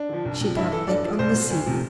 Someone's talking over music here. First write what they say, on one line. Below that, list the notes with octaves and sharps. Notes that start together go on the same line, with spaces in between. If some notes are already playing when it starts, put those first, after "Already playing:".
She dropped back on the seat.
Already playing: D4
D3 F3
C2
C3 F3
G2 E4
E3 A4
G2 D5
F3
C2 C5
B2
D2
C3 F3